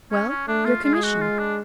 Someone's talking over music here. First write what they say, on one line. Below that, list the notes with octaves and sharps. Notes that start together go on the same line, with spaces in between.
"Well,--your commission?"
C#4
C#4
A3 D4
F4
G#3 F4
G#4
F#4
F4
D4